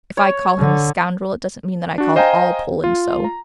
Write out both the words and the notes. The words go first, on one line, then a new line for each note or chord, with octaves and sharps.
If I call him a scoundrel, it doesn't mean that I called all Poland so.
C#5
D3
D4 F#4
C5 D#5 F5 G5 G#5 A#5
F4
A#5